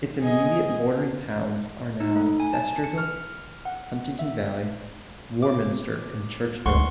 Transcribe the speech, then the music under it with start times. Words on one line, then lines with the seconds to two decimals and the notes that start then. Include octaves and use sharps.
Its immediate bordering towns are now Feasterville, Huntingdon Valley, Warminster, and Churchville.
0.21 G#4 D#5
2.00 D#4
2.16 A3
2.40 G#5
2.53 A5
2.84 C#7
2.98 F6
3.65 F#5
4.19 E5
5.42 D6
6.66 D2 G2 F#5 C6 C#6